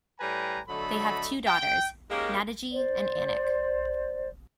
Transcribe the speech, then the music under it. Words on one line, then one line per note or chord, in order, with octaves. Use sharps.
They have two daughters, Nadege and Anik.
A2 G3 B4 G5 G#5 A#5
D3 F#3 A3 A4 D#5 B5
G5
G#3 A#3 C#4 D#4 G4 A#4
C5 D5